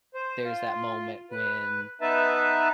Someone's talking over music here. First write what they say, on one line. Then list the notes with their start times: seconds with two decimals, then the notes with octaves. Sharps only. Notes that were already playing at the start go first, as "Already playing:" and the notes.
There's that moment when
0.14 C5
0.44 F4
1.31 B4
2.01 B3 D#4 B4 E5 A5